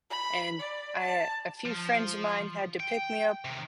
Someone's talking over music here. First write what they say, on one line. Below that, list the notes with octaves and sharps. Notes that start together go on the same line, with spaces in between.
and I uh a few friends of mine had to pick me up,
B5
D5
A5
F3
G5
C3 D#3